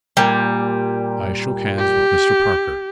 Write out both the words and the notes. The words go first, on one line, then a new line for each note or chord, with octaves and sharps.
I shook hands with Mr. Parker.
A#2 G3
G4